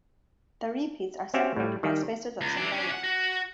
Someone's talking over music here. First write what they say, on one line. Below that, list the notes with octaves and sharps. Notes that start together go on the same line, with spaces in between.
The repeats are separated by spacers of similar length.
C4 C#4 F#4 G4 E5 F5
A2 G3
D#3 G3
C#2
E3 D4
C#4 D4
F#5
F#4